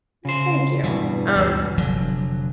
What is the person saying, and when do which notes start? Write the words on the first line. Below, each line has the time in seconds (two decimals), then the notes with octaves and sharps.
Mm, thank you. Um,
0.25 C#3 C5
0.83 E2 G2 B2 E3
1.36 D2
1.78 F1 D3 F#3